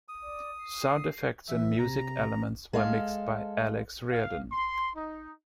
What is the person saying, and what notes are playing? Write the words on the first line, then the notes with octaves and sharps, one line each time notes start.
Sound effects and music elements were mixed by Alex Riordan.
D#6
D5
C7
E3 E5
C3 A#5
G#3 A4 F5
F5
C6
D#4